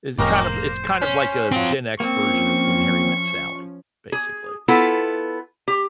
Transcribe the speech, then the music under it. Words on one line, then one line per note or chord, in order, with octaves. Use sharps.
is it kind of it's kind of like a Gen X version of When Harry Met Sally, basically.
F1 F2 A2 A#3 C#4 D#4 G4 A#4
C5
C#4
F#3 C4 F4
F3 A#3 C4 C#4 C#6
G#4
B3 E4 F4 A4
G4